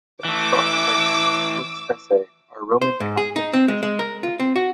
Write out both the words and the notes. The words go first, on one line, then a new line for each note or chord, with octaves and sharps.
Sengstock cites Slick's essay Are Roman Catholics Christian?
E3 A3 D6 E6
C5
G#2
G#4
D#4
C4
G#3
G#3
A#4
F4
C4
F#4